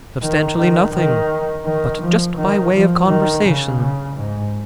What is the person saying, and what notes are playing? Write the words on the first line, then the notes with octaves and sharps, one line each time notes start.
"Substantially nothing--but just by way of conversation."
D#3
D#3
D#3
D#3
F3
D#3
F3
D#3
C#3
C#3
G#2